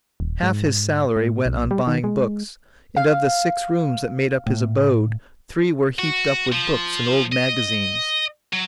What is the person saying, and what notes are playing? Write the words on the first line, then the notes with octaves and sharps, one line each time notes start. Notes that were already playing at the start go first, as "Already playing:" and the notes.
Half his salary went on buying books, and of the six rooms that made up his abode three were heaped up with books and old magazines.
D#1
G#2
A2
B1
G3
D#3
G#3
F5
A2
F#4
F3
D#5
F#3